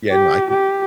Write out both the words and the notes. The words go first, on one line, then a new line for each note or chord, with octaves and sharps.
Yeah, no, I can
G4
G4